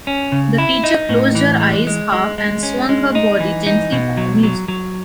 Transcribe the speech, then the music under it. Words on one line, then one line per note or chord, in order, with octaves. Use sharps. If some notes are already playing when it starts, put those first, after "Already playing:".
The teacher closed her eyes half and swung her body gently by the music.
C#4
C#3
E4
D#4
A2
E3
G#3
G#3
G#3
G#3
C#4
G#3
D#4
E3
D#4
B2
F#3
F#3
F#3